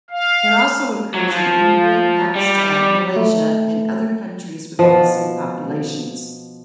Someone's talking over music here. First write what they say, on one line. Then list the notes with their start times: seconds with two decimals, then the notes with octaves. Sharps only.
It also occurs in India, Pakistan, Malaysia and other countries with Muslim populations.
0.10 F5
1.14 F#3
1.31 F3
2.35 G3
3.16 A3
4.79 B2 F3